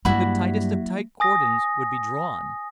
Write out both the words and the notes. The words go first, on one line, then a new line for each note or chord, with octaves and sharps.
The tightest of tight cordons would be drawn.
G2 F#3 G3 A#3 E4 F#4 B5
G#5 D#6 A#6